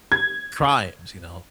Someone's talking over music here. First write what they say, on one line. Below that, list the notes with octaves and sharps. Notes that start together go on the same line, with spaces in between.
crimes, you know,
G#6